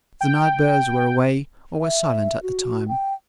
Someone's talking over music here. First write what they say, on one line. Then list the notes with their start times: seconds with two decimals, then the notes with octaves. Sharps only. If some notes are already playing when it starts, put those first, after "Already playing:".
The night-birds were away, or were silent at the time.
0.21 G5
1.81 E5
2.43 F#4
2.88 G5